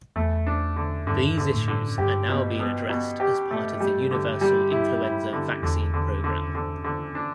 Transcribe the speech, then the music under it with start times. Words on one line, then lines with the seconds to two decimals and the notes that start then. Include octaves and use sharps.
These issues are now being addressed as part of the Universal Influenza Vaccine Program.
0.16 E2 A3
0.47 D4
0.76 D3
1.07 G2 D3
1.37 D3
1.52 A2
1.68 D3
1.98 G2 G4
2.29 B2
2.59 B2
2.89 B2
3.20 G4
3.51 A3
3.80 G3
4.11 D3
4.41 G3
4.71 E4
5.02 E4
5.33 D3
5.62 E2 D3
5.94 D3
6.24 D3
6.55 D3
6.84 D3
7.15 D4